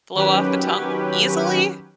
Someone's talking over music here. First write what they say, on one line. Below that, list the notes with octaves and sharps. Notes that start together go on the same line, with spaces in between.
flow off the tongue easily
D#3 F#3 C#4 G4 B4